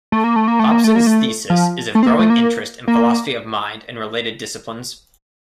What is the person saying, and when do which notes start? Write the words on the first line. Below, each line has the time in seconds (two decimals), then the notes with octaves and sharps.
Hobson's thesis is of growing interest in Philosophy of Mind and related disciplines.
0.12 A3
0.24 A#3
0.36 A3
0.48 A#3
0.59 A3
0.72 A#3
0.84 A3
0.96 A#3
1.07 A3
1.50 F3
1.95 A3
2.03 C4
2.07 A#3
2.19 A3
2.30 A#3
2.88 A#3